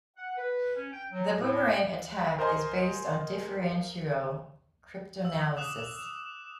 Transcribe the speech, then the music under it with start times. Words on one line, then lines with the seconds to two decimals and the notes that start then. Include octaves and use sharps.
The boomerang attack is based on differential cryptanalysis.
0.17 F#5
0.37 B4
0.75 C#4
0.93 G5
1.12 F#3
1.38 A2
2.39 A#4 C5 D#5 G#5 C6
5.25 E6
5.57 D6 D#6 F#6 E7